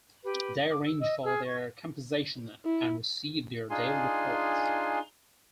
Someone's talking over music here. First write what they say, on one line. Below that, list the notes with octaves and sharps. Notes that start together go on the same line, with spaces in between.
Day arranged for their compensation and received their daily reports.
G4 B4
D6
E6
D#5 E6
G#4 E6 F6
C#6 G#6
E4
D4 D#4 F4 G#4 G#5 C6